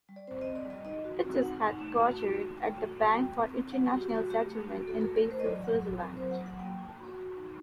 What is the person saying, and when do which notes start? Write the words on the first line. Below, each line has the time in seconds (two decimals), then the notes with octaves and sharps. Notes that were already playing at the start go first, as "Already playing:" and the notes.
It is headquartered at the Bank for International Settlements in Basel, Switzerland.
0.09 G3
0.16 D5
0.28 C4 C5
0.41 D#5
0.46 C4
0.55 D5
0.65 G3
0.70 D#5
0.85 D#4 D#5
1.04 F#4
1.24 C4
1.42 D#4 F#5
1.62 D#4
1.81 A3
2.00 F#4
2.20 D#4
2.39 A3
2.57 A3 G5
2.77 F#4
2.95 A3
3.14 G3 G5
3.35 C4
3.54 C4
3.72 G3 F#5
3.87 G4
3.91 F#4
4.01 G4
4.11 G3
4.16 F#4
4.30 A3 G4
4.50 A3
4.68 F#4
4.88 F#4 A4
5.01 A#4
5.07 A3
5.16 A#4
5.26 A3 C5
5.40 D#5
5.45 F#3 D5
5.63 F#3 F#5
5.83 F#3 A4
6.02 C4 A#4
6.17 C5
6.22 F#3
6.31 F#5
6.40 F#3
6.46 F#5
6.59 A#3 G5
6.79 A#3
6.99 F#4
7.17 F#4
7.37 D#4